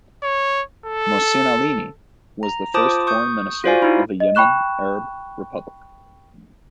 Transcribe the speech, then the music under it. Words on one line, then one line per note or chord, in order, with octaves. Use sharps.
Mohsin Alaini was the first Foreign Minister of the Yemen Arab Republic.
C#5
A4
A#5
F4 C5 A5 D6 D#6
C#6 D#6 G6
F4 F#4 C5 D5 F5 G#5
D#4 E4
D#5
G5 B5 C#6 F#6 E7